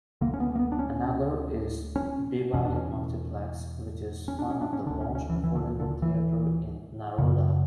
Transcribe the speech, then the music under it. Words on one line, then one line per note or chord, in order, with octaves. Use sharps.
Another is Devi multiplex which is one of the most affordable theater in Naroda.
D2 D3 A#3
C#4
B3
A#3
B3
D4
C#4
C#4
E2 B2 C#4
D4
C#4
C#4
D4
C#4
D4
C#4
D2 D3 D4
C#4
C#4
E3
E3
D3
D3
E3
F#2 C#3